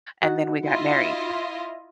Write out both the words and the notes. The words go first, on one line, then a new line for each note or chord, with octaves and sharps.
and then we got married.
D#4 F#4 F#5
E4 F4 D#5